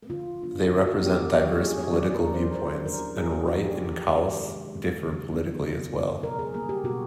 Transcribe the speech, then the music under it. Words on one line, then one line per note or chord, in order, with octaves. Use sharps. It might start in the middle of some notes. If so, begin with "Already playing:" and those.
They represent diverse political viewpoints, and Wright and Kaus differ politically as well.
D3 F4
F#3 B3 D4 F4
D3 F#4
F#4
F#3 B3 D4 F4 G4
F#4
F#3 F#4
A#3 C#4 E4 G#4
C#5
F#3 D5
A#4
A#3 C#4 E4
C5
F3 C5
A#3 D4 A#4
F3 G#4
F#4
A#3 D4 F#4
G4
C3
D#3 G#3
C3
D#3 G#3
C#3
F#3 B3 D#4
C#3
F#3 B3 D#4
B2 A#4
G#4
G3 A#3 G#4
G4
B2 F#4